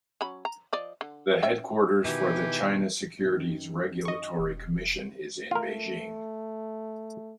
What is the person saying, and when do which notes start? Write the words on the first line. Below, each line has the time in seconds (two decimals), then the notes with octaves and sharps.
The headquarters for the China Securities Regulatory Commission is in Beijing.
0.21 F#3 C#4 B5
0.45 A#5
0.73 F3 D5 D#5
1.01 D3
1.43 C#4 E5 G5
2.04 B2 D#3 E3 G4
3.21 F#2 D#3
4.05 D#5 C#6
4.39 E1
5.51 A3 F4 A#4